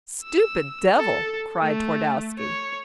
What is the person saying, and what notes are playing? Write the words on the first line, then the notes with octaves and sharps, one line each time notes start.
"Stupid devil!" cried Twardowski.
E6
A4
A3
C#5